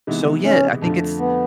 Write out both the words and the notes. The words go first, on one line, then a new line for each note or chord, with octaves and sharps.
So, yeah, I think it's
C3 E3 G#3 B3 D#4
C#4
F2 D3 F3 A3
B3